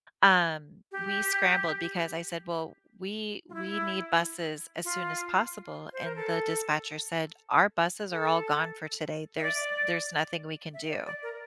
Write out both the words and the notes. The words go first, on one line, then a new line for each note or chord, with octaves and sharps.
um we scrambled because I said, "Well, we we need buses as soon as possible," and the dispatcher said, "Our buses are all gone for today. There's there's nothing we can do."
G4
F4
E4
F4
C5
A#4
A4
A4
E5
D5
E5
D5
D5
A#4